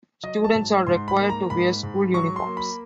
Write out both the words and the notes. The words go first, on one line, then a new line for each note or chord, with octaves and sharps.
Students are required to wear school uniforms.
F#3 D#5
A5
G#2
G#2 C6
B5
A#3
A#5
G#2 B5
G#2
F#3 C#6
C6
A#3
B5